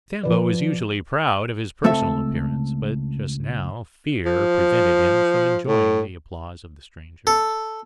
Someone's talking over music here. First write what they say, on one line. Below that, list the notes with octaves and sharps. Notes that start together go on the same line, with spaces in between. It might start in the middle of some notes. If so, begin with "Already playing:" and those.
Sambo was usually proud of his personal appearance, but just now fear prevented him from enjoying the applause of the strangers.
F3 B4 D5
C#2 A3 C4 A4 E5
F3
A2
A4